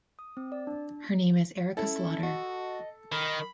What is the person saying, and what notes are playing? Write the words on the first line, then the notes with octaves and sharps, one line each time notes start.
Her name is Erica Slaughter.
D#6
C4
D5
D4
C#4 E4 A4
F#4 D#5
D#3 A#4 B5